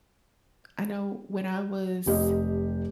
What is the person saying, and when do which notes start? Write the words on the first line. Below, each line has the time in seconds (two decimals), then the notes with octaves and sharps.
I know when I was
2.06 F1 G4 D#5